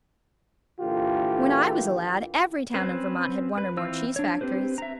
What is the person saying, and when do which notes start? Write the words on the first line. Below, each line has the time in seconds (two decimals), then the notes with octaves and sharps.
When I was a lad, every town in Vermont had one or more cheese factories.
0.80 A#2 D3 E3 F4 G4 A4
2.74 C4 C#4 B4 C5
3.58 B4
3.77 E3 C4 F4 E6
4.16 D4 C#5
4.41 C4 G4 B4 C5
4.78 E5 A#5